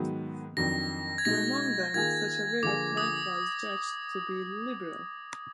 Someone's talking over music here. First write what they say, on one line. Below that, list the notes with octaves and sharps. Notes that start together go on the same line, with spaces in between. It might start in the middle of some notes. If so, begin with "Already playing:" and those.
For among them such a way of life was judged to be 'liberal.
Already playing: G#2 D#3 F#3 B3
F2 D#3 F#3 D4 A#6
G#6
B2 G#3 D#4 A#6
D#3 A#3 F4 G#4 G#6
D3 F3 A#3 F4 G#4 D6
D#6